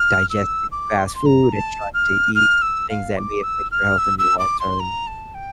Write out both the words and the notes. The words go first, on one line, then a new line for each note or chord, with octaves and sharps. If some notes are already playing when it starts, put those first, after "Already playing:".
digesting fast food and trying to eat things that may affect your health in the long term.
Already playing: F6
E6
D6
C6
D6
C6
A#5
A5
F6
F6
E6
F5
D6
E6
F6
E6
E6
D6
C6
A#5
A5
G5